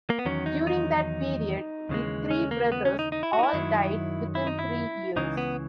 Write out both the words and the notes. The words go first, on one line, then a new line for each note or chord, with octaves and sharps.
During that period, the three brothers all died within three years.
A#3
B3
E2 D#3 F#3 C#4
D#4
D#4
D#2 C#3 E3 G#3
C#4
A#3
B3
C#4
D#4
D#4
E4
F#4
D#4
E4
F#2 D#3 F#3
E4
D#4
E4
C#2 C#3 E3 D#4
B3